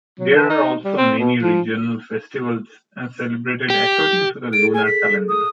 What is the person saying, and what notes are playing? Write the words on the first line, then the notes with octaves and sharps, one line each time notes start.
There are also many regional festivals celebrated according to the lunar calendar.
F#3
D3
D#4
G3
C4
B2
F3
G4
G#4 A4 D7
G#5
B6
D#6